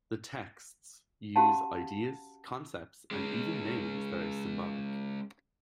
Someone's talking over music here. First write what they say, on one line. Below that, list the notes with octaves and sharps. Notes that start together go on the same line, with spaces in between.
The texts use ideas, concepts and even names that are symbolic.
C#4 F#4 G4 F5 F#5 A5
G#3 C#4